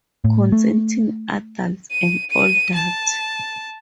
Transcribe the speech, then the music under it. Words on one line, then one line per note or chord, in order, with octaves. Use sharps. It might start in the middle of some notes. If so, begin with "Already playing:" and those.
Consenting adults and all that.
A2
A3
D#7
D#7
A5